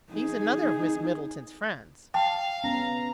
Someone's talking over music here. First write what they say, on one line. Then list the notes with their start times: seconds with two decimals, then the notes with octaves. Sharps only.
"He's another of Miss Middleton's friends."
0.12 D#4 G#4
2.14 F5 G5 A5
2.64 B3 C#4 A#5